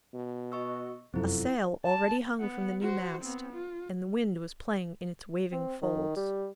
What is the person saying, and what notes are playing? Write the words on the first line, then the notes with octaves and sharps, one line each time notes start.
A sail already hung from the new mast, and the wind was playing in its waving folds.
B2
F#4 D#5 C#6 E6
F1 F#2 F3 C4 E4 A4
A5
B3 F#5
F#4 C5
B3 C4
F4
C4
D#3
G3